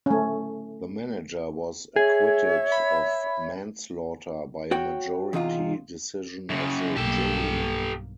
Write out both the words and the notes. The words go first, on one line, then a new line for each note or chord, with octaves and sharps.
The manager was acquitted of manslaughter by a majority decision of the jury.
A3 C#4
G#4 C#5 E5
B5
F#4 C#5 G5
E2 C3 D#4 F4
F#2 C#3
B1 G2 A#3 G4 A4